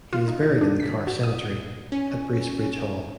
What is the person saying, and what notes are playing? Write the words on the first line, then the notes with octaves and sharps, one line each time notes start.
He is buried in the Carr Cemetery at Bracebridge Hall.
F4
D#4
D#4
D4
B6
F#4
D#6
C#4